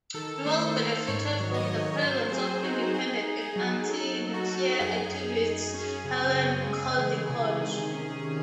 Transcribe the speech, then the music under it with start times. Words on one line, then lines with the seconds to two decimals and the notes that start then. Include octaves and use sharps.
Newell benefited from the presence of independent and anti-nuclear activist Helen Caldicott.
0.14 D#3 A4
0.46 A3 C5
0.76 D#3 C5
1.08 G#2 C#5
1.39 F#3
1.54 D#5
1.70 G#2
2.01 F#3 C5
2.32 C4 G#4
2.63 D#4 F#4
2.94 D#4 G#4
3.25 D#4
3.41 G#4
3.56 F#3
3.87 F#3 A4
4.18 F#3
4.34 F#4
4.49 D#4
4.80 F#2 G#4
5.12 F#2
5.42 F#2
5.74 C#4
6.05 C#3
6.36 C#3
6.66 G#3
6.98 E3
7.29 C3
7.61 D#3
7.91 C#4
8.22 C#4